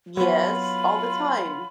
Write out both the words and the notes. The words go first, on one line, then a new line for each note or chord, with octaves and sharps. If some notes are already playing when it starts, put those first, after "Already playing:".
Yes, all the time.
F#3 B3 F4 F#4 C#5 B5